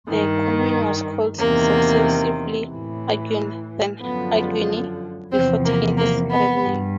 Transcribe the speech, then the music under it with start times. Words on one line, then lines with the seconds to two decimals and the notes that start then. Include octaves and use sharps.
The commune was called successively "Aguerne" then "Aguerny" before taking its current name.
0.09 G2 D#3
1.39 E2 C3 D#3 A#3
2.70 A2 E3
4.01 F#2 D3 F3 B3
5.32 E2 C3 F3 C4
5.65 A#3
5.98 A#3
6.31 B3
6.63 G2